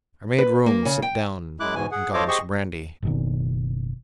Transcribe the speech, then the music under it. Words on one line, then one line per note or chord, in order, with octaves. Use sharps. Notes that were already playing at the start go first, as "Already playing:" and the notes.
I made Rooum sit down, and got him some brandy.
B4
A#3
C#3
G5
F#2 G#3 E4 D6 F#6
E2 G#2 B2 E3 G#5
G#4 F#5
F4 A4 C5 C#5 D#5 D6
G4 G#4 C5 D#5 C#6
F#1 B2 D#3